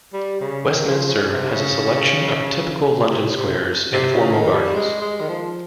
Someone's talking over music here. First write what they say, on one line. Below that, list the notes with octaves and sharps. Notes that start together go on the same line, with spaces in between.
Westminster has a selection of typical London squares and formal gardens.
G3
C#3
D#3
F3
C#3
C3
C#3
C3
C3
C3
C#3
D#3
G3
G#3
G#3
D#3
F3